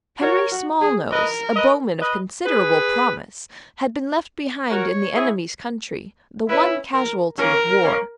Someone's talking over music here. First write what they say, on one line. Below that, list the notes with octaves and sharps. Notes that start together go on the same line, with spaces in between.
Henry Smallnose, a bowman of considerable promise, had been left behind in the enemy's country, the one casualty of war.
F#4 A#4 C#5
F#4
G#4
A#4 B4 D#5
B4 D#5
B4 D#5
G#4 B4
F#4 A#4 C#5
E4 G#4
C#4 E4 B4
A#4
A#3 C#4 A#4
A#3 C#4